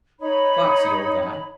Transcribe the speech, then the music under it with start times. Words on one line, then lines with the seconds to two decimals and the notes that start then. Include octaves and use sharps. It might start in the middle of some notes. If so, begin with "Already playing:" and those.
Foxy old guy.
0.19 D#4 C#5 B5